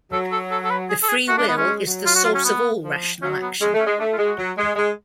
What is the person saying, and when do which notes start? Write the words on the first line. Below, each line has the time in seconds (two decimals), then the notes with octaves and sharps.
The free will is the source of all rational action.
0.12 F#3 A4
0.32 A4
0.51 A4
0.64 A4
0.70 B4
0.89 G#4
1.02 A4
1.08 G#4
1.28 A3 F#4
1.38 D4
1.40 G#3
1.48 B3
1.54 G#3 C#4
1.67 G#3
1.86 F#3
2.05 F4
2.15 F#4
2.24 F4
2.35 C#4
2.44 B3
2.83 F3
3.22 F#3 C#4
3.42 B3
3.61 G#3 C#4
3.74 A3
3.79 C#4
3.87 G#3
3.99 A3 D4
4.13 F4
4.18 G#3
4.25 F#4
4.38 F#3
4.57 G#3
4.76 G#3